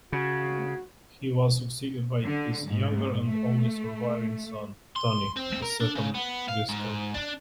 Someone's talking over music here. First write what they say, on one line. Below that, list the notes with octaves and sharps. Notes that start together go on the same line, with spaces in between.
He was succeeded by his younger and only surviving son, Tony, as second viscount.
C#3 F#4
D3
G#2
A3
C6
C4
A#4
D4
C#3
B3
F5
G#2
D4